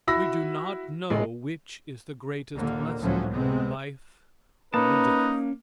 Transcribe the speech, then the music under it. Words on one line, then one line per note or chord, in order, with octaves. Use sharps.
We do not know which is the greatest blessing, life or death.
E4 F#4 E5 B5 E6 A#6
A1 G#3
D#2 A#2 D3 A#3
C#2 A2 D3 F3 F#3 C#4
C3 G#3 B3 C4
A#3 C#4 D#4 B4 A5